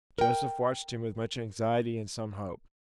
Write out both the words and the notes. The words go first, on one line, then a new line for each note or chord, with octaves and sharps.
Joseph watched him with much anxiety and some hope.
A#4 G5